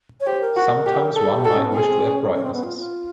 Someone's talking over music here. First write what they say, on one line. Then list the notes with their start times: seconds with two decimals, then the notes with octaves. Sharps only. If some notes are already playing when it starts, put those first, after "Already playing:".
Sometimes one might wish to add brightnesses.
0.20 C#5
0.26 G4 C5
0.41 A#4
0.56 F#4
0.86 G4
1.15 G#4 A4
1.29 G4
1.45 F#4 A4
1.55 C#4
1.65 B3
1.74 C4 G#4
1.89 C4
2.04 C#4
2.34 C#4
2.43 C4
2.53 B3
2.63 F4
2.78 F4